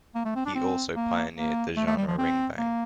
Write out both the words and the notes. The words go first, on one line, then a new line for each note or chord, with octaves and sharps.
He also pioneered the genre ringbang.
A#3
A3
C4
D4
C4
A#3
A#3
A3
A3
G3
F3
C4
A#3